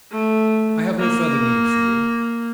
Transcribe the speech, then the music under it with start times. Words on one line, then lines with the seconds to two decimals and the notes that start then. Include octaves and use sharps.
I have no further need for you.
0.11 A3
0.99 A#3